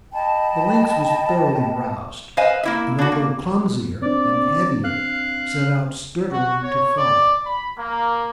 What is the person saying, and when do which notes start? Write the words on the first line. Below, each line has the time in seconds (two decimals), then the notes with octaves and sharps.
The lynx was thoroughly aroused, and although clumsier and heavier, set out sturdily to follow.
0.14 D#5 G5 A5 B5
2.37 B4 C5 D#5 F5 G#5
2.63 A#3 E4 E5
2.99 D4 F#4
3.12 A#3
4.02 C4 D4 D5
4.84 F5 F#6
6.31 F#4
6.63 C#5
6.96 D5
7.44 B5
7.78 A#3